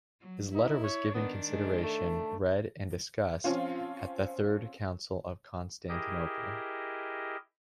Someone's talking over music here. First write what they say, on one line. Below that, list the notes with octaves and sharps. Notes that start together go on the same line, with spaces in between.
His letter was given consideration, read and discussed at the Third Council of Constantinople.
F#3
D#4 E4
C#5
D#3 B3 D4
G#3
A3
F3 C4 C#4 F4
E4 G4 G#4 A#4 D#5